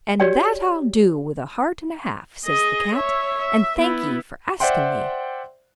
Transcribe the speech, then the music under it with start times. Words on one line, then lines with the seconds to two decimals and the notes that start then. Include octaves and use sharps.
"And that I'll do with a heart and a half," says the cat, "and thank 'ee for asking me."
0.20 F#4 G4 C#5 D5 G5
2.45 G#4 D#5
2.94 C#5 E5
3.38 E5
3.77 B3 E4
4.60 C5 D5 E5 F#5 G5 C6